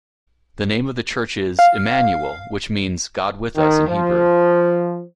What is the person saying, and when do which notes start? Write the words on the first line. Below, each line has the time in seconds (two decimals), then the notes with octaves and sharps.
The name of the church is; "Immanuel" which means "God with us" in Hebrew.
1.59 F5
3.56 D#3
3.88 F3